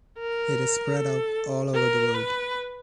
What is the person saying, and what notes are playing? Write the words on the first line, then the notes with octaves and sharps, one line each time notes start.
It is spread out all over the world.
A#4
A4
A#4
B4